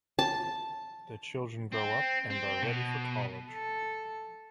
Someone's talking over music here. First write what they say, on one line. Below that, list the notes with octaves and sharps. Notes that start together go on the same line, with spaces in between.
The children grow up and are ready for college.
A5
C4
C4
B2
A4